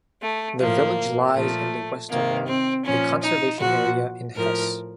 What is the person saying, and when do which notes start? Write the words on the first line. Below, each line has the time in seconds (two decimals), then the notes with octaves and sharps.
The village lies in the Westerwald, a conservation area in Hesse.
0.22 A3
0.59 A2 F3 A#3
1.34 A#2 F3 A3
2.09 C3 D#3 A#3
2.47 C4
2.84 A#2 F3 C#4
3.22 D#4
3.60 A#2 F3 F#4
4.34 A2 F3 A#4